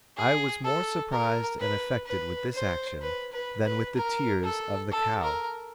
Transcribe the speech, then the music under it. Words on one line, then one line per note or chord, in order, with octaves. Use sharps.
I was more surprised and affected with this action, than with the tears of the cow.
G#4
A4
A#4
B4
B4
C5
B4
B4
B4
A#4
A4
A4
A#4